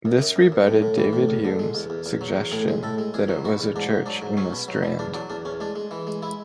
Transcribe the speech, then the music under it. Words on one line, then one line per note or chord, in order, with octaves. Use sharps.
This rebutted David Hume's suggestion that it was a church in the Strand.
F#2
F#2
F#2
F#2
A2
A2
E3
A2
E2
D3
G#3
E2
E2
E2
F#3
E2
A2 G#4
G#3
A2 A4
G#3
E2 G#4
F#3
B2 F#4
E2
G#2 D4
G#2
F#3 D4
G#2
F#3 C#4
B2
F#3
B2
E2 D4
F#3 D4
E2 D4
E2 C#4
G#3 D4
G#3
E3
G#3
G#3 E4